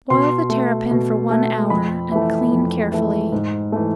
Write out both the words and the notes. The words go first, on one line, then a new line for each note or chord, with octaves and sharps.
Boil the terrapin for one hour, and clean carefully.
B2 C6
A3
B2
A3
F2 B5
E3 A3
F2
E3 A3
G#2
E3 A3